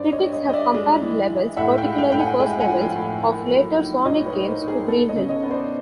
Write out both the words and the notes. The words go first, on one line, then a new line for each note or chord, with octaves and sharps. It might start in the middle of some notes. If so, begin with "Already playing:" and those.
Critics have compared levels, particularly first levels, of later "Sonic" games to Green Hill.
Already playing: G2 C5 D5
C#5 D#5
G2
C#5 D#5
G2 D#5
D5 E5
G#3
E3
E3
A2 E5 F#5
F5 G5
G#3
F5 G5
A2 G5
F#5 G#5
G#3 F5 G5
F#5 G#5
F3
F5 G5
A2
A#3
F#3
D#4
A#2 C#5 D#5
B4 C#5
D#4
A#4 C5
D#4
G#4 A#4
B3 A4
C#5 D#5
C#3
C#5 D#5
B3
C5 D5